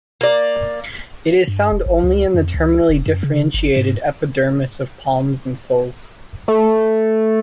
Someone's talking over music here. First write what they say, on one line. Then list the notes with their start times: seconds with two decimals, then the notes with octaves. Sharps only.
It is found only in the terminally differentiated epidermis of palms and soles.
0.21 A#3 D5
1.47 G2
1.72 E1
1.86 G#1
2.04 C#2
2.34 F2
2.54 C#2
2.89 E1
3.06 F#2
3.23 C#3
3.54 G1
3.76 G#2
6.48 A3